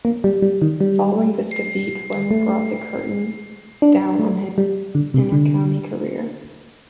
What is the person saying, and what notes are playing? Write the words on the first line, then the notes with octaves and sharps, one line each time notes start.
Following this defeat Flynn brought the curtain down on his inter-county career.
A#3
G3
G3
D#3
G3
A3
D4
A3
G3
D3
C3
D3